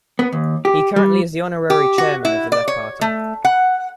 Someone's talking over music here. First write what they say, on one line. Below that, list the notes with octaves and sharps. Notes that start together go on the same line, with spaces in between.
He currently is the honorary Chairman of the Left Party.
B3
D#2
G4
G3
G4
F#4
E4
D5
C#5
A3
F#5